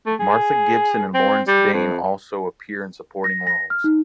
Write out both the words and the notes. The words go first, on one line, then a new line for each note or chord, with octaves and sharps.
Martha Gibson and Lawrence Dane also appear in supporting roles.
A3
G#4
C4
G3
F2
A#6
A#6
F6
D#4